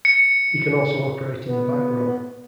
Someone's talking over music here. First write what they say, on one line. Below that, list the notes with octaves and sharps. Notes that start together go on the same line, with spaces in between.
He can also operate in the back row.
C#7
B3